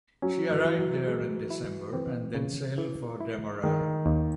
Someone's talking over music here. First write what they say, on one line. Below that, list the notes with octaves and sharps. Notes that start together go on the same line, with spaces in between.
She arrived there in December and then sailed for Demerara.
F#3 C#4
E3
E3
F#3
G#3
E4
E3 C4
C#3
E3
E4
D#3 G#3
D#2